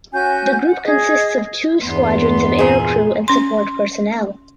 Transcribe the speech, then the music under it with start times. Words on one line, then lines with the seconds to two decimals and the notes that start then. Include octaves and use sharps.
The group consists of two squadrons of aircrew and support personnel.
0.12 C#4 F#4 G#5 G6
0.65 F#5
0.84 G#4 D#5
1.83 E2 G2 B3 C6
2.59 A#2 G#4
3.28 C#4 C6